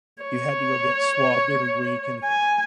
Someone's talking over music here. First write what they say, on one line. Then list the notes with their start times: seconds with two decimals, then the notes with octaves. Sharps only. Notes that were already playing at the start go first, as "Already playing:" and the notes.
you had to go get swabbed every week and
0.23 C#5
2.24 G#5